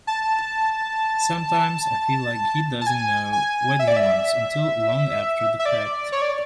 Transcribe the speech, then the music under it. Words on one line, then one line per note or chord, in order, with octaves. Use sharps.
Sometimes I feel like he doesn’t know what he wants until long after the fact.
A5
A5
G#5
G#5
E5
D5
E5
E5
D5
C#5
D5